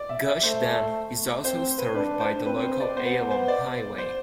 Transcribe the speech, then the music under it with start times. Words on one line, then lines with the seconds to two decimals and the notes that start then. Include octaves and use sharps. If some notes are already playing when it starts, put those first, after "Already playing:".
Gush Dan is also served by the local Ayalon Highway.
Already playing: D5
0.09 E5
0.26 E5
0.43 A3 C5
1.44 C4 C5
1.78 B4
1.95 D4 B4
2.20 C5
2.45 C4 B4
2.63 C5
2.80 D5
2.96 B3 C5
3.31 C5
3.48 D5
3.98 C5